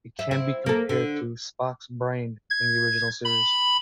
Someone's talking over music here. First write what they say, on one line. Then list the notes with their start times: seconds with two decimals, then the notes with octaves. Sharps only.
It can be compared to "Spock's Brain" in The Original Series.
0.19 E5
0.31 C4 E4
0.66 A#3 A4
0.89 D3
2.50 G#6
3.25 B5